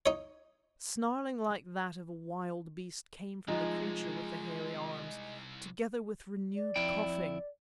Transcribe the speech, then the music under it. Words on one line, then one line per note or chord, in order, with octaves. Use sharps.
Snarling like that of a wild beast came from the creature with the hairy arms, together with renewed coughing.
D#4 C#5
C2 G2 F3 G#3 D#4
D5
F2 E4 G5